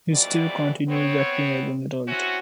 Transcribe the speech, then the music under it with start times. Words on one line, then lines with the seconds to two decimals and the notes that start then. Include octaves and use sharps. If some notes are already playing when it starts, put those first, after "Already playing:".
He still continues acting as an adult.
0.11 F2 B2 E3 F#3 G3 D5
0.88 B3 C4 C#5
2.07 C4 C#4 E4 F#4